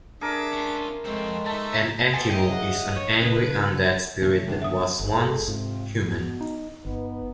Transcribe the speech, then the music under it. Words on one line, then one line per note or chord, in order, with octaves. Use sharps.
An ekimmu is an angry undead spirit that was once human.
D4 G#4 A#4 E5 D6
C#4 F4
F2 G#3 A3 C4
A3 D#4 E5 A5
B3 A4 C5 G#5
G#4 C#5 D#5 E5 G5
F#5
C#5
C#3 D4 B4
F#5
C2 A#2 D#3 A3 C#4
G2 D3 D4
F#1 B2 B3 E5 D#6
G1 G#3 A4
G#2 C3 C4 F4
B2
D#4
G1 B3 D#4 B4